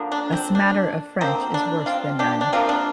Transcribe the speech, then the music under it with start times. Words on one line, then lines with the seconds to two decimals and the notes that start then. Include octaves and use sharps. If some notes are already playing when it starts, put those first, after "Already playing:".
A smatter of French is worse than none.
Already playing: D3 F3 A#3
0.12 D4
0.32 C4
0.55 D4
1.21 D3 F3 A#3 C4
1.54 D4
1.86 C4 F4
2.19 D4 G4
2.41 D4
2.52 C3 F3 A#3 C4 F4
2.69 D4